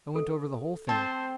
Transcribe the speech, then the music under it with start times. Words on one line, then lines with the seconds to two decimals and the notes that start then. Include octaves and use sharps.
I went over the whole thing.
0.16 A4
0.89 C4 C5 A5